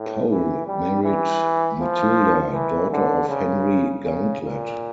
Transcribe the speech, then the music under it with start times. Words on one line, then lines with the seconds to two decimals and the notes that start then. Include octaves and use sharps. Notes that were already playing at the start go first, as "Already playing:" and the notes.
Pole married Matilda, daughter of Henry Gauntlett.
Already playing: A2
0.30 E3
0.67 G3
1.03 E3
1.79 F3
2.53 E3
2.91 D3
3.29 C#3
4.03 C#3
4.41 A#2